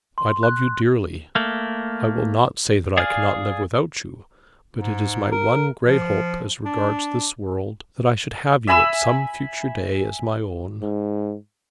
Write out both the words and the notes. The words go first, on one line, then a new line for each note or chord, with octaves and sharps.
I love you dearly. I will not say that I cannot live without you; but it is my one great hope as regards this world, that I should have you at some future day as my own.
C6
F#6
A3 A#3
G#4 D5 F5 G#5 F6
G#2
A#4
F3
D4
E5 G#5 B5 E6
G#2